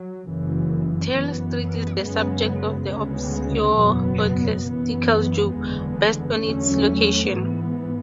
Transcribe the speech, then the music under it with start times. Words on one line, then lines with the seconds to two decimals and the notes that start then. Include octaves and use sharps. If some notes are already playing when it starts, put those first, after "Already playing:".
Turl Street is the subject of an obscure ecclesiastical joke, based on its location.
Already playing: F#3
0.26 F#1 F#2 C#3 E3
1.13 F#2 E3 B3
2.01 F#2 C#3 G#3 B3
2.89 D2 C#3 G#3 B3
3.77 F#1 E2 B2 F#3 B3
4.66 F#2 E3 B3
5.53 F#1 E2 D3 G#3 B3
6.42 E2 D3 F#3 A3 C#4
7.30 G#2 E3 B3